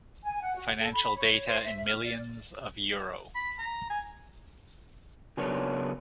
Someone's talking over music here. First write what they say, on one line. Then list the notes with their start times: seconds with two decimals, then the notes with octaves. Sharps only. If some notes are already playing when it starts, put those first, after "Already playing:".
Financial data in millions of euro.
0.23 G#5
0.42 F#5
0.57 F#4
0.79 A4
0.93 B5
1.15 C#5
1.47 C5
1.62 E5
1.86 F6
2.04 D5
3.35 B5
3.59 A#5
3.90 G#5
5.37 C#3 F#3 B3 D4 A#4 C#5